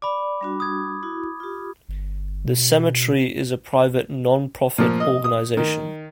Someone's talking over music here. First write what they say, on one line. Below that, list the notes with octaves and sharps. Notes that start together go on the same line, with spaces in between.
The cemetery is a private non-profit organization.
D5 B5 D6
G3 D4 F#4
D#6 G#6
E4 F#4
F4 G4
G1
B2
A#2 F3
D#5
D#6
D#3